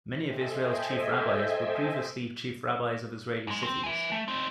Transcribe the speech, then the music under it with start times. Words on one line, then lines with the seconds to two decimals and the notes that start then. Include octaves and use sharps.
Many of Israel's chief rabbis were previously chief rabbis of Israeli cities.
0.20 A4 C5 D#5 E5 G5 G#5
3.47 F#2 G#3
3.64 C4
3.84 E5 G#5
4.12 A3
4.28 C4 D#4